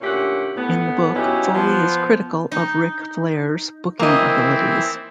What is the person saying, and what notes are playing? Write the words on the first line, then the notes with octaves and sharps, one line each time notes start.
In the book, Foley is critical of Ric Flair's booking abilities.
D2 A#2 C#4 G4 E5 F#5
A2 B3
F#3 C#4 D#4 E4 F#4 G4
F3 B3
D#4
E3 A#3 C4 D#5